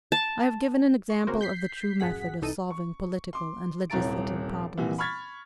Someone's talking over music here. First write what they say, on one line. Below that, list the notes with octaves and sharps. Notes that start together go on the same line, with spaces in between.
I have given an example of the true method of solving political and legislative problems.
A5
C#6
C#3 A#3 C4 F#4 A#4 C5
G6 B6 C7
A1 F#2 G#4 F#5 B6
C2 E3 D#4 A4 D#7
C#6
C6 D6
D#1 C2 C#5 A#5 A6 D7
C2 A#2 E3 G3
B5 C#6 F6 G#6 A6 B6